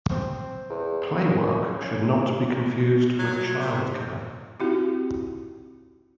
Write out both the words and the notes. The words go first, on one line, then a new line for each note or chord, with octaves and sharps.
Playwork should not be confused with childcare.
C4
E2
C#3
A#2
C#3
F#3
C3
C4 D#4 E4 F#4 G4